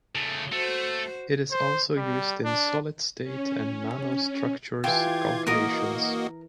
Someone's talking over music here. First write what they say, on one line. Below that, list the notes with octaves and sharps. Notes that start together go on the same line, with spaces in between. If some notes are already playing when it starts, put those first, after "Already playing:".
It is also used in solid state and nanostructures calculations.
C#3 A3
A3 F#4 C5
C5
G3
D4
C#4
E3 E4 F4 G4 G#6
A#3 F#4 A#4 D#5 D#6